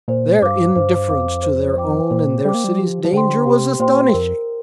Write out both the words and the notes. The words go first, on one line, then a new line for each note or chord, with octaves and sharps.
Their indifference to their own and their city's danger was astonishing.
A#2 C5
G2 F5 D6
G2 C5
F2 F5 D6
C5
G5 D6
A#2 C5
G3 G5 D6
A#3
G3
F3 G4
F3
D3 C5 G5 C6
C3 G4
A#2 C5 G5 C6
F2 A#4